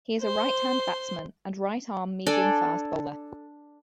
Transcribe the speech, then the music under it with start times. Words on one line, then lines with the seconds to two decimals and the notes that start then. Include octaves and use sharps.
He is a right-hand batsman and right arm medium-fast bowler.
0.21 C5 C6
2.26 D4 A4 D5 G#5